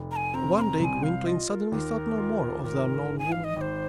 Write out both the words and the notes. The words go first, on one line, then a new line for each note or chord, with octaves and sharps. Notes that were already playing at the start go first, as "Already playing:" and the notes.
One day Gwynplaine suddenly thought no more of the unknown woman.
Already playing: F1
A#5
G#5
C4 A#5
C6
A#5
C2 G#5 A#5
F5
F4 D#5
A#4
D#2 A#4
F4
G#1 A#4
G#1
G#5
F5
D#5
G#1 C5 D#5